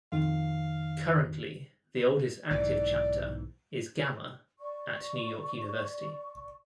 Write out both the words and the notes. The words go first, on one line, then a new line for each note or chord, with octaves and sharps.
Currently, the oldest active chapter is Gamma at New York University.
F2 D#3 F5
B1 G#2 E3 D5
D5 C#6